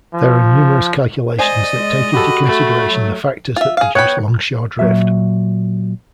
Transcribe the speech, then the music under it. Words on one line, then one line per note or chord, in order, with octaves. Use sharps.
There are numerous calculations that take into consideration the factors that produce longshore drift.
F3
C5 D5 D#5 G#5
G#3
F#4 G4 A4 B5
A3
F#3
F4 E5
G#4 F5
B3 C#5 F#5 G5 B5
A#2 F#3 E5